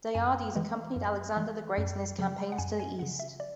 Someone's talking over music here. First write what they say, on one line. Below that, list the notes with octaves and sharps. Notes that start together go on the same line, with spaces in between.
Diades accompanied Alexander the Great in his campaigns to the East.
F#2 G#5
E3 G#3
F#2
E3 G#3
F#2
C#3 F#3
F#5
F#2 G#5
G#5
C#3 F#3 F#5
E5
D5